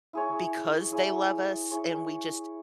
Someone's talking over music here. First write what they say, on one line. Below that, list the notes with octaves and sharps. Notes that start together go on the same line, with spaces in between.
because they love us, and we just,
E4 G#4 C#5
E4 G#4 C#5
E4 G#4 C#5